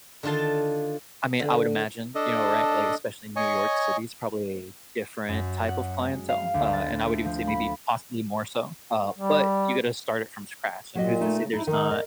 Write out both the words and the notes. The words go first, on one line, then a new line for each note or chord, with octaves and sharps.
I mean, I would imagine, you know, right? Like, especially in New York City, it's probably a different type of clientele, uh, and I would even say maybe possibly more so, uh, but you gotta start it from scratch, and who's to say there's not
D3 D#3 F4 A5 C6
D3
D4 A4 D#5
C#5 D#5 G#5 C#6
F#2
F#5
G#3
F5
D2
A6
A3
F3
B5
G3
A#2 F#3 G4 D#5
A3 D#4
C#3
F2 D#4 E4
D#3 D#4
A#4 D5 D#5